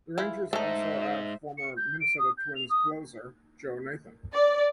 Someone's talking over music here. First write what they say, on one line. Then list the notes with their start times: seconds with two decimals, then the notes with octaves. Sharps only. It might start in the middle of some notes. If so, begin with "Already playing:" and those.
The Rangers also add former Minnesota Twins closer, Joe Nathan.
0.18 E3 E4 F4
0.53 G#2 A3 D#4 A4 C5 E5
1.58 C#7
1.77 G6
2.00 D7
2.18 D#6
2.37 G6
2.55 F7
2.70 D#6
4.33 D5